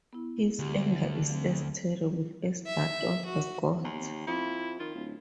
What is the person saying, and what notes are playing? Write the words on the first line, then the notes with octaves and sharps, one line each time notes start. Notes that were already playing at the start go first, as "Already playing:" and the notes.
His anger is as terrible as that of the gods.
B3 E4
D2 G4
F3 F#3 C4
E5
F#4
D#2
F2 E4
D#3 F4
D1